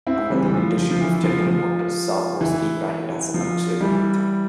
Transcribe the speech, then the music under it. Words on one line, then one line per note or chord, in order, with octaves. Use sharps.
Under the leadership of General Motors, Saab was re-branded as a luxury maker.
C4 E4
E3 G3
E3
F3
F3
F3
E3
F3
F3
E3
F3
E3 G3